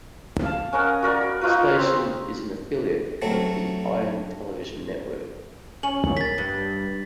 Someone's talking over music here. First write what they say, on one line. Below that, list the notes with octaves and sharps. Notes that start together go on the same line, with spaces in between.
The station is an affiliate of the Ion Television network.
F5 A5
C#4 A#4 D#5 F#5
F#4 A#4 D5
B5
D#4 F4 F#4 B4
C4
F#3 A3 C4
C#4 F#7
A#3 A6 B6
G2